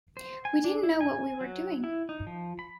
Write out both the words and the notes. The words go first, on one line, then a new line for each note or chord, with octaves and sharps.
We didn't know what we were doing.
C5
G#5
D4
E4
G#5
F#3
E4
D#4
F3
B5